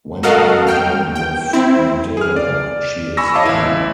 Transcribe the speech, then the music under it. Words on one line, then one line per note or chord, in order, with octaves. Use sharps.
When I'm done with Madea, she is done.
F#4 A4 A#4 D#5 F5 F#5
G5 F6
G5
C4 E4
G#4 F6
D5
G#5 B5 C#6 E6 A#6
C#5 D#5 F5 A5 B5 D6
A1 E4